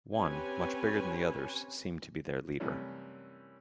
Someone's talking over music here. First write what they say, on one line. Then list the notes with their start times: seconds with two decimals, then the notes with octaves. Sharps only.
One, much bigger than the others, seemed to be their leader.
0.14 C4 C#4 G4 B4 C#5 G#5
2.60 F#2 C3 E3 G3 A3 C#4